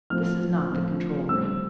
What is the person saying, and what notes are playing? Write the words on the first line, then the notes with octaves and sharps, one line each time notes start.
"This is not the control room."
A2 F3 C4 F6
A2 F3 C4
A2 G3 C4 E6